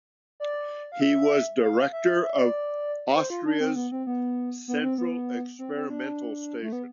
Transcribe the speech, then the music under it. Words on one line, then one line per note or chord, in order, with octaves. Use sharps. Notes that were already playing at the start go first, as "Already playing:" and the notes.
He was director of Austria's Central Experimental Station.
D5
F5
E5
F5
E5
E5
E5
D5
C5
F4
D4
C4
B3
C4
B3
B3
C4
B3
C4
C4
D4
A3
B3